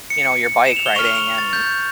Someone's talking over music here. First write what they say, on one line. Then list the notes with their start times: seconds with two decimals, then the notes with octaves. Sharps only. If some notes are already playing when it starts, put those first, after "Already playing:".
you know, your bike riding and
0.10 C#7
0.66 E7
0.76 F7
0.86 G7
0.95 C#6 F6 F7
1.05 F7
1.15 F7
1.38 A6
1.53 G6